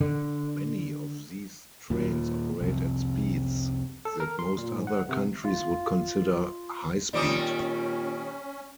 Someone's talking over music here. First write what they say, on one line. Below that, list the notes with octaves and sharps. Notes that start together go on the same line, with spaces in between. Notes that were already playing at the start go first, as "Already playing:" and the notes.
Many of these trains operate at speeds that most other countries would consider "high-speed".
D3
D#2 A#2
C2 F2
A4
A#4
C6
A#2
G#2
F#5
C3
F4
A#2 D#3 G3 C4 C#4 D5 D6 D#6